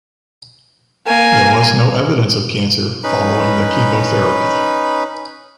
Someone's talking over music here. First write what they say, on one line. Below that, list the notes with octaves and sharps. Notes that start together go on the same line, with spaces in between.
There was no evidence of cancer following the chemotherapy.
A#3 G#5
C#4 D#4 B4 B5